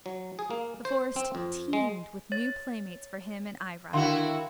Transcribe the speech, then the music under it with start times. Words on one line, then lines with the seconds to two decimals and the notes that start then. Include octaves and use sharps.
The Forest teemed with new playmates for him and Ivra.
0.06 F#3
0.39 G#4
0.50 A#3
0.85 C5
1.16 C4
1.35 F2
1.73 G#3
2.32 C#5 A6
3.93 D3 D#3 E4 F#4 F5 C6